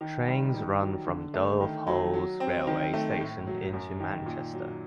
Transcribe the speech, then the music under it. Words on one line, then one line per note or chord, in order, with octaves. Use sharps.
Trains run from Dove Holes railway station into Manchester.
D#3
G3
D#3
F#3
D3
A3
D#3
F#3
F#3
C4
D#3
A3
A2
F#3
F#2
D#3
A#2
F#3